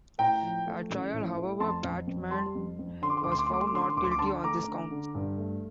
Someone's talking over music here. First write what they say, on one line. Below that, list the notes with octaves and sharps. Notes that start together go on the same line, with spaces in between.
At trial, however, Bachman was found not guilty on these counts.
A2 G5 A#5
F3
A3
A1
A2
A3
F2 A5 C6
F2
F2
G3 A5 C6
F2
F2
D3 C6
D6
C6
D2 D6
C6
D6
C6
A3 D6
C6
D6
D3 C6
D6
C6
D2 D6
C6
D6
D3 A5 C6
A3 A#5 D6
D3
D3
G2
A3